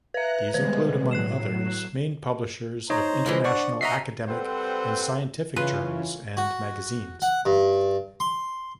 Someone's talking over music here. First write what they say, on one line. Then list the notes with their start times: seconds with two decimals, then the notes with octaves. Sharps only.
These include, among others, main publishers of international academic and scientific journals and magazines.
0.14 B4 E5 A#5 F#6
0.54 B2 D#3 G3 G#3 B4
1.11 A2 F#3 F#6 C7 E7
2.90 D#4 C5 C#5 D#5 A#5
3.26 E3 F3 G#3
3.44 D4 D5 F#5 C#6
3.81 F#4 D#5 E5 A#5 B6 C7
4.29 G3 C4 A4 B4 C5 F#5
5.56 C#3 E3 C#4 F4 B4
6.37 F#4
7.22 F#5
7.45 G2
8.20 C6